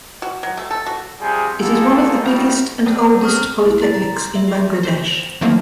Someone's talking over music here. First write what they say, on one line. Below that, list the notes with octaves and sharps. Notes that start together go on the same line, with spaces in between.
It is one of the biggest and oldest polytechnics in Bangladesh.
F#4
F#3
A3
A4
F#4
C3 F3 G3 G#4
A#3 B3 D#4 F4 G#4 A4
D#2 D#3 G3 E4 F#4 A#4
B3 C4 D4
C#6 D#6 F6
E4
A6
A#5
C6
E5
G4
C5
D#3 E3 F#3 A3 A#3 C4